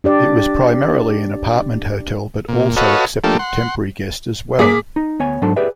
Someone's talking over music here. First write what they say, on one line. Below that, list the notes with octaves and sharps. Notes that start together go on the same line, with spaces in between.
It was primarily an apartment hotel, but also accepted temporary guest as well.
D4 G4 D5
A#2
F#4 A4 B4 C#5 D#5 F5
F3 A3 A#3 D4 G4 A4
F#5 C6
A#3 G#4 D6 B6
D#4
D2 B3 C#5 G#5
G#2 F#3 D4 A4 C5 A5
G4 G#4 B4 D5 E5